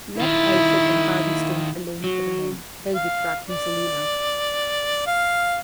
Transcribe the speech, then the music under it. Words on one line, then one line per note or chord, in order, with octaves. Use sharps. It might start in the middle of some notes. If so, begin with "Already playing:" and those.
Let Elphick and Cardlestone alone for the moment--they'll be tracked easily enough.
D#3 E4 F4
F#3
F5
D5
F5